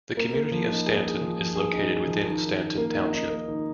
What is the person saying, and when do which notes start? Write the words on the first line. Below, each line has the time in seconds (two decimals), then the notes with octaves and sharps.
The community of Stanton is located within Stanton Township.
0.17 A#3
0.34 A#3
0.52 F3
0.69 D#4
0.86 G#4
1.04 G#4
1.21 F3
1.39 F3
1.55 G#4
1.74 D#4
1.91 G#4
2.08 F3
2.25 D#3
2.43 D#3
2.60 D#3
2.78 A#3
2.95 D#4
3.13 D#4
3.29 A#3
3.48 D#3